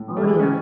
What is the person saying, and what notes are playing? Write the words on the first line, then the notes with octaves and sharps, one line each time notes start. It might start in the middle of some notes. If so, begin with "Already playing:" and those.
Oh, yeah.
Already playing: A2
E3
A3
E3 G#3
A2 C#4